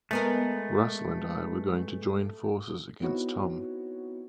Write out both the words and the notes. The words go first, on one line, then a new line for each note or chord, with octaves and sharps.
Russell and I were going to join forces against Tom.
G#3 A3 B3 A#4
B3 C4 D#4 E4 F#4 C#5